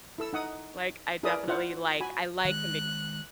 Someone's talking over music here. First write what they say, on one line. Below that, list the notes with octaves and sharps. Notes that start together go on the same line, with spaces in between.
Like I definitely like, I like convenience.
E4 A4 E6
D#4 F#5 D#6
E4 G#4 A#4 B4 D5 D#6
E4 F4 C5 F#5
F#4 G#5 B5
D#3 G#3 F#6